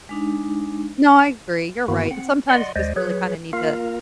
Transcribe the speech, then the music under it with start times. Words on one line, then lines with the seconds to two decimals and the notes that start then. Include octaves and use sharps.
No, I agree, you're right, and sometimes you just really kinda need to
0.09 G#3 D4 D#4
1.88 G2 D#3 A#3 B3 E4 F#4
2.11 C4 F#5
2.49 D5 D#5 F#5 C6
2.76 D#2 G#3 C5 D5 D#5
2.96 F#3 G#4 B4 C#5
3.53 A#3 F4 A#4 F5